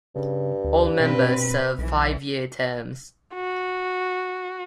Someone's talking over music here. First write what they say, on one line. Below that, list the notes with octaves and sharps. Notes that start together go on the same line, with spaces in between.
All members serve five-year terms.
G2 C#3
D2
B2 C4 B4
B1 E3
F#4